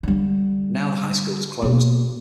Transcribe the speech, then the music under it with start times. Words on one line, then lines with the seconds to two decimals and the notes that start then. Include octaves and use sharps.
Now the high school has closed.
0.03 D3 G3
1.62 B2 A#3